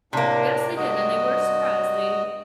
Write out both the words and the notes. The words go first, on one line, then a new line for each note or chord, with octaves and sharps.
Yes, they did and they were surprised. They
A2 C3 A#3 D4
G2 F#4 D#5